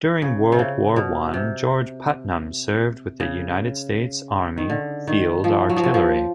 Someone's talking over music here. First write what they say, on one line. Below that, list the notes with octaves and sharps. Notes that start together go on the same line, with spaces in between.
During World War One, George Putnam served with the United States Army field artillery.
C#3
C3
C#3
B2
C3
C#3
D#3
D3
D#3
F3
F#3
F3
F#3
F3